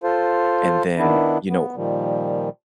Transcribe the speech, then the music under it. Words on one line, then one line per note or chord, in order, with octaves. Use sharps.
And then, you know,
F4 A4 C5
D#3 B3 D4 E4
B3
A#2 D#3 F3 G3